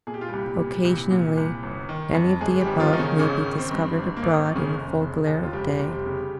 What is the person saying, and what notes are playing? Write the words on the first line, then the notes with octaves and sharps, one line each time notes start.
Occasionally any of the above may be discovered abroad in the full glare of day.
A#2 G#4
G4
F4
C2 G3 G4
A#2
C2
A#2
C2
G1
D#3
F2
G1 G#3 G#4
G3 G4
G1
F3 F4
D#3 D#4
C#3 C#4
G#1 C#3 C#4
D#3
C4
G2
G#1
A#3
G#1
C4
D#3
C#3 C#4
F1
C#3
D#2
F4
F1 G3 G4
F1
G3 G4
C#3